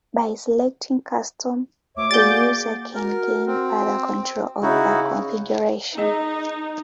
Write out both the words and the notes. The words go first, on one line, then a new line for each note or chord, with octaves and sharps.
By selecting Custom, the user can gain further control of the configuration.
D2 C#5 E5 D6
A#3 F#4 G#4 D5 G6 A6
F#4 A#4
C4
C#3 D#4 E4 F#4
D#4 G#4 D#5